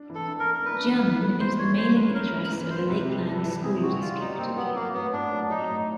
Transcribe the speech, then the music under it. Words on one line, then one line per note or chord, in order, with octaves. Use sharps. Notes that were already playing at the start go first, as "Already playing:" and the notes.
Jermyn is the mailing address of the Lakeland School District.
Already playing: D4
E3
A4
D4
A#4
D4
A#4
D4 B4
E3
E3
A3
E3 C5
E3 C#5
A3 C5
C#4 B4
C#4 A#4
E3 A#4
E3
E3 C5
C3 B4
G3
E3 A4
E3
C3 G#4
G3 F#4
G3 F4
G3 D#4
A#3 C4
F#3 B3
F#3 A#3
A2 B3
A2 D4
F#3
F#3 D#4
A2